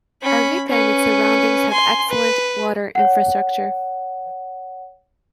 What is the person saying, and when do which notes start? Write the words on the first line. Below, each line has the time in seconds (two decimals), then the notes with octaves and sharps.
Arvika and its surroundings have excellent water infrastructure.
0.22 C#4 B5
0.68 C#4 B4
1.69 G#5 C6
2.09 B4
2.95 C#5 F#5